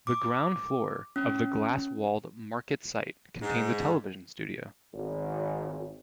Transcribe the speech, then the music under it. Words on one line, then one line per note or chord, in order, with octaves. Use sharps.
The ground floor of the glass-walled MarketSite contains a television studio.
D6
C#4
G#2
G#1